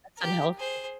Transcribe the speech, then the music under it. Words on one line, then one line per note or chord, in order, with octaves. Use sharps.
That's unhealthy.
G4 A#4
G#4 C5